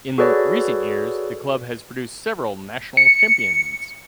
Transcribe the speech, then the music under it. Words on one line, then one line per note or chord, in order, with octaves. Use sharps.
In recent years the club has produced several national champions.
F#4 G#4 A4 B4 C#5 D5
C#7